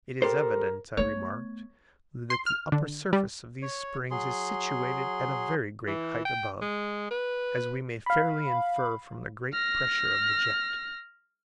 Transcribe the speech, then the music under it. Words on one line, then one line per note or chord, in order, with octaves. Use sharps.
"It is evident," I remarked, "that the upper surface of these springs is situated at a very great height above--as we may fairly infer from the great pressure of the jet."
G4 A4 A#4 C5
A3 B3 C#5
C6
F6
D3
G3
C#5
F#3 G#4 C6
E3
G5
G#3
B4
F5 B5
F6 A#6